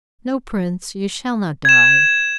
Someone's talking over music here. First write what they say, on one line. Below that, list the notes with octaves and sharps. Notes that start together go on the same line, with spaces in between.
'No, Prince, you shall not die.
G#6 E7